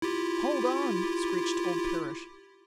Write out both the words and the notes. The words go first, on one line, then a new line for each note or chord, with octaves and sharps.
"Hold on!" screeched old Parrish.
E4 F4 G4